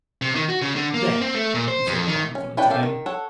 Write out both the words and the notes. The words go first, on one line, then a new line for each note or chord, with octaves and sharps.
"There!" he said, triumphantly, to Ben.
C3
D#3
F#4
C#3
D3
A#3
C4
A3
A#2
C5
F2
D#3
C#4
C#4 D4 E4 B4 G5
C#4 G4 A4 F5
D#3
A4 C#5 F#5